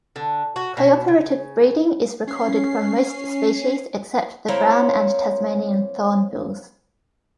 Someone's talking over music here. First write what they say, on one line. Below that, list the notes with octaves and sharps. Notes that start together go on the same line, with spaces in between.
Cooperative breeding is recorded from most species except the brown and Tasmanian thornbills.
D3
F#4
B2
C#3
C#4 C7
A#3 C4 E4 C#5